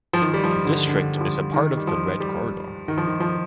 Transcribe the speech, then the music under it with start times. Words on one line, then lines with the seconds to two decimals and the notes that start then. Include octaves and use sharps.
The District is a part of the Red Corridor.
0.13 F3
0.21 D#3
0.34 G3
0.44 F3
0.65 D3
0.88 D3
1.17 G3
1.21 F3
1.54 D#3
1.77 G3
1.87 F3
2.20 G3
2.88 D#3
2.98 F3
3.07 D#3
3.20 F3